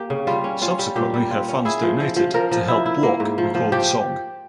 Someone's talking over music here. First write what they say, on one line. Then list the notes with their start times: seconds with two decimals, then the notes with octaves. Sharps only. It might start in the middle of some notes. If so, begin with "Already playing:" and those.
Subsequently her fans donated to help Block record the song.
Already playing: A#3 G4
0.10 C#3
0.27 G3 F4
0.44 C#4
0.61 C#4 F4
0.79 G3
0.96 A#2 G4
1.14 G3
1.31 F4
1.48 C#4
1.65 E4 G#4
1.82 F3
2.00 F3
2.16 F3
2.34 F3 A#4
2.51 F3
2.68 E4
2.86 E4
3.03 A#3
3.20 G#2
3.38 F3
3.55 F3
3.72 F3 G4